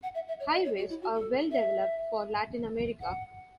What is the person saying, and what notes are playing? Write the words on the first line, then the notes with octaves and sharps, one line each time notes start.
Highways are well-developed for Latin America.
F#5
E5
E5
C#5
D#5
C#5
F#4
E4
F#4
A4
E5
F#5